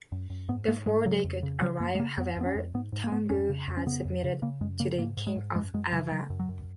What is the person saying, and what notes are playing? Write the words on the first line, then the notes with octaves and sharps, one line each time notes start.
Before they could arrive however, Toungoo had submitted to the King of Ava.
F#2
F#2
G#2 B3
G#2 A#3
G#2 G#3
C#3 F#3
F2
C#3
C#3 F#3
F#2 A#3
G#3
C#3 A#3
F2 B3
F2 B3
C#4
F2
G#2 B3
G#2
A#3
G#2 B3
F2 C#4
C#3
F2
C#4
C#3 B3
F2
C#3
C#3 A#3
F#2 G#3
C#3 A#3
G#2 A#3
G#2
G#3
G#2
F#2 G#3
F#2 G#3
C#3 F#3
C#3 F#3
F#2
F#3
F#2